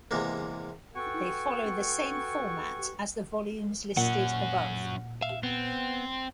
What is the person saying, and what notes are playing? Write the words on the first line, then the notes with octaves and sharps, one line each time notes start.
They follow the same format as the volumes listed above.
E2 C3 G#3 A#3
F#4 A4 B4 G5 G#5 C#6
A#2 F#3 C#4 F#5
E5 F5
B3 C4